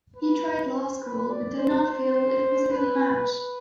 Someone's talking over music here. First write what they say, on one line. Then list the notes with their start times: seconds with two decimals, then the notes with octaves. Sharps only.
He tried law school but did not feel it was a good match.
0.16 B4
0.73 C5
1.01 B4
1.29 D5
1.58 C5
1.86 C5
2.71 B4
3.28 B4